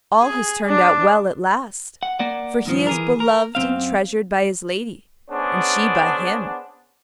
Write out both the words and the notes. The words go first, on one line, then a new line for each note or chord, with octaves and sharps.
All has turned out well at last; for he is beloved and treasured by his lady, and she by him.
G#4
D4
F#5
A#3 D5 F#5
G2 D#3 F3
E3 G#4 A#4
A#4
F#2 D#3 C4 F5
B3 C#4 D4 G#4 C5